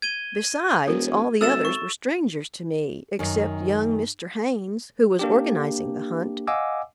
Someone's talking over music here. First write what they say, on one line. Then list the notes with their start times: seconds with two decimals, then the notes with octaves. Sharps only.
Besides, all the others were strangers to me except young Mr. Haynes, who was organizing the hunt.
0.02 G#6 D#7 G7
0.87 E1 F#4 A#4
1.41 G#1 F#4 A4 E5 E6 A6 E7
1.65 C#6
3.19 F#2 D#3
5.19 A#3 D4 G4
6.47 D#5 F5 F#5 G#5 D6 E6